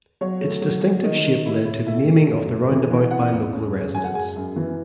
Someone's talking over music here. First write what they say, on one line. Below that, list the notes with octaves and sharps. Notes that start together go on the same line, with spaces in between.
Its distinctive shape led to the naming of the roundabout by local residents.
F#3 C#5
A3
F#3
F#3
D#3 D#5
D#3
E4
E4
A3 E5
A3
F#2
A3
E3
E3
C4 F#5
E2
C#4
C#3
F#2 G#5
F#5
G#3 G#5
F#2
E3